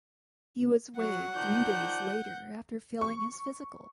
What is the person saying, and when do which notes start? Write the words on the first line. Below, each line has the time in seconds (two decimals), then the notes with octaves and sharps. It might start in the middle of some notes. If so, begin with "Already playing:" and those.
He was waived three days later after failing his physical.
0.98 F#3 F#5
1.35 D#3 F3 D5 G6
3.01 C#6